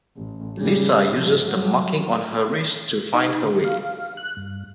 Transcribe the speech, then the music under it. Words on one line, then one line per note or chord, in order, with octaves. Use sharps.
Lisa uses the marking on her wrist to find her way.
A1
C#3 G3
G#2 F3
F#3
D#4
D3
F5
F#6
G2